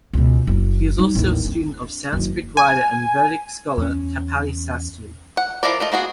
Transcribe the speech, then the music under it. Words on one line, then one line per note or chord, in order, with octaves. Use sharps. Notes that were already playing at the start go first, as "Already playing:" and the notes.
He was also a student of Sanskrit writer and Vedic scholar Kapali Sastry.
C#2 B2
F#1
G3 D#4
A1 D#2
C4 D4
F#1 D#3
G#5
E2 C#4
F#5
F3 E4 A#4 D5
A3 F4 D#5
A#3 B3 F#4 G#4